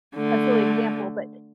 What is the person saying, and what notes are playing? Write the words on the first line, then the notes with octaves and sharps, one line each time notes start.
a silly example, but
D3 A3